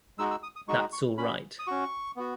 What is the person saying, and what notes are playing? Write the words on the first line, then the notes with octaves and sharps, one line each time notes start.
That’s all right.
G#3 D#4 F#4 E6
E6
D#6
D#6
G#3 D#4 F#4 C#6
C#6
C#4 F#4 B5
D#6
C#4 F#4 C#6
B3 F#4